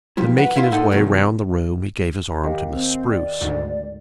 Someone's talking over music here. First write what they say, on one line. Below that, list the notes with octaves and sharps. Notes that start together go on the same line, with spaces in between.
Then making his way round the room, he gave his arm to Miss Spruce.
F3 G3 E4
B4 F#5
E4 E5 F5 C6
A2 D#4 A4 F#5 G#5
F#2 C3 D#3 F3 F#3
D#2 G4
C4
D5
D2 G#2